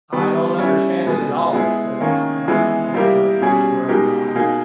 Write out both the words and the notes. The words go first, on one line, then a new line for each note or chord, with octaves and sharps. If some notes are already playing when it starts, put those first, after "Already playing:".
"I don't understand it at all," said the perplexed owner of the stray yacht.
D#3 G3 B3
G3 C#4 E4
B2 G#3 B3
G#3 B3 E4 G#4
D#3 A#3 C#4
E3 G#3 B3 E4
G3 A#3 E4 G4 A#4
B2 G3 C#4 G#4
B2 G#3 D#4 G4 A#4
B2 A#3 D#4 G#4